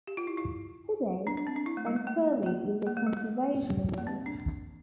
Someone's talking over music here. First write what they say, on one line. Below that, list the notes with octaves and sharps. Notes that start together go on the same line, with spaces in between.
Today Ranfurly is a conservation area.
G4
F4
E4
E4
D4
D4
C4
D4
E4
A3
G3
A3
A#3
A#3
A#3
A3
G3
A3
A#3
C4
D4